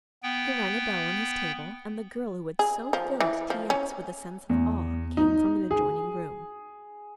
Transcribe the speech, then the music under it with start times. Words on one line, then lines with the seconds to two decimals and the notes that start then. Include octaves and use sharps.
He rang a bell on his table and the girl who had so filled T. X. with a sense of awe came from an adjoining room.
0.23 B3 G5
2.59 G#4
2.93 F3
3.21 E3
3.50 F3
3.70 C#4
4.49 E2
5.17 D#4
5.71 G#4